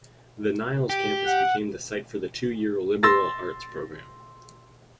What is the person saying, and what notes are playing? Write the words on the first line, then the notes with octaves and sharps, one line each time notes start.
The Niles campus became the site for the two-year liberal arts program.
G4
F#5
C6 E6 A6 A#6